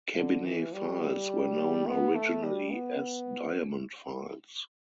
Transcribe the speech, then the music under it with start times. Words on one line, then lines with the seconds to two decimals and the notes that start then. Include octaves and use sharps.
Cabinet files were known originally as Diamond files.
0.17 D3
0.45 E3
0.74 G3
1.87 B3
2.15 A3
2.43 G3
2.71 B3